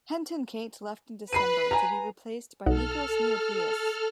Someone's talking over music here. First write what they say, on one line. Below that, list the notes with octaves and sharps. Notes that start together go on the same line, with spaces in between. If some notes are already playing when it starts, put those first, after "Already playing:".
Henk ten Cate left in December to be replaced by Nikos Nioplias.
B4 B5 C7 D#7
G#5 A#5
B1 D#4 A4 F#5 F6